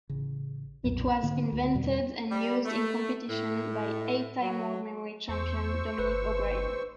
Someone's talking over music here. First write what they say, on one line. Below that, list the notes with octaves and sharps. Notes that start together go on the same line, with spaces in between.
It was invented and used in competition by eight-time World Memory Champion Dominic O'Brien.
A1 C#3
B1 F2 A#2
G#2 D3 A#3
D2
E2 B2 G3
G3
A3
A2
F#3
E2 C5 C#6 E6
G1 B4